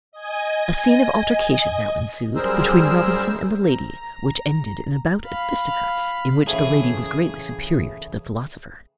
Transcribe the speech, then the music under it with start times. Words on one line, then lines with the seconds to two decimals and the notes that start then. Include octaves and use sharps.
A scene of altercation now ensued between Robinson and the lady, which ended in a bout at fisticuffs, in which the lady was greatly superior to the philosopher.
0.12 D#5 G#5
2.35 F#2 G3 G#4 A#4 C5 E6
3.64 A#5
5.26 F5 B5
6.47 A2 C#3 E3 G#4